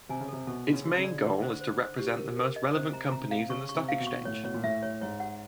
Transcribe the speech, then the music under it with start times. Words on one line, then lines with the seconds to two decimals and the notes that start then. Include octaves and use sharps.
Its main goal is to represent the most relevant companies in the stock exchange.
0.09 C3 G#5
0.21 C#3
0.28 C3 A4
0.47 B2 A4
0.67 F#4
0.73 C#3
0.85 F#4
0.98 C#3
1.05 D5
1.23 D3 G#4
1.42 C5
1.61 C5
1.80 C5
1.99 G4
2.18 A#4
2.36 A#4
2.56 D#5
2.74 C3 C5
2.93 A#5
3.12 C3 A#5
3.31 F5
3.50 C#3 C#6
3.69 C#6
3.75 C3
3.89 F5
4.00 B2
4.07 C#6
4.21 A#2
4.25 A2 C#5
4.43 B2 C#5
4.54 A#2
4.63 A2 E5
4.83 C#5
5.01 G#2 C#5
5.20 F#5